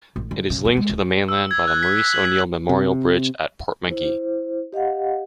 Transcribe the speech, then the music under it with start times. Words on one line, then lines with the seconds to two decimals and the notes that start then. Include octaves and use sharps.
It is linked to the mainland by the Maurice O'Neill Memorial Bridge at Portmagee.
0.16 A1
0.31 D3
0.50 C#3
0.65 F3
0.77 G#3
0.89 D1
1.28 E6
1.51 G#6
1.67 F#6
1.83 B6
1.98 B6
2.13 F#7
2.25 B6
2.69 C3
3.88 E4 C5
4.73 G4 D#5 F5 F#5